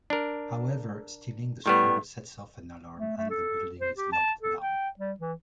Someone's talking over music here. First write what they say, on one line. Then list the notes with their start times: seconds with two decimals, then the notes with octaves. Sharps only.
However, stealing the scroll sets off an alarm and the building is locked down.
0.10 D4 A#4
1.66 A2 G3 B3 C#6
2.98 A3
3.17 A3
3.30 A4
3.80 C5
3.97 G4
4.13 A5
4.42 A4
4.60 G5
4.99 G3
5.20 E3